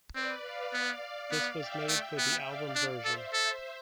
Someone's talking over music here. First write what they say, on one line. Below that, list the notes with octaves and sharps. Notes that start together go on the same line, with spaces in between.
This was made for the album version.
C4 B4 D5
D5 F5
B3
D5 F5
B3
E5 G5
A3 E5 G5
B3
D5 F5
D4
A4 C5 E5
A4